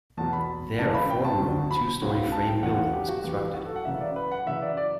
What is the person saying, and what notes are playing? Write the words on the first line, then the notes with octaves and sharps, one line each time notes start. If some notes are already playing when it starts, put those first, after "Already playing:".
There a four-room, two-story frame building was constructed.
E2 B2 F#3 A5
B5
F#2 C#3 E3 A5
B5
G5
A5
D2 D3 F#3
B5
C#2 C#3 F#3
A5
G5
E2 C#3 F#3 F#5
G4
F#4
F#2 E3 G4
F#4
A4
F#5
F#2 C#3 E3 E5
D5
B4
F#5
F#2 C#3 E3 E5
D5
D5